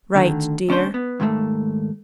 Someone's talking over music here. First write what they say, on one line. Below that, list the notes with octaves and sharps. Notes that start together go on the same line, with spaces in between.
'Right, dear.
D2 D3 D#3
D2 C#4 D4 C5
B3
D#2 G#2 D#3 A3 A#3